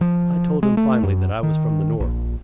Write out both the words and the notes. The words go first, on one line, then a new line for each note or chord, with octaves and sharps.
I told him finally that I was from the North.
F3
G#3
A3
F#2
D#3
A#1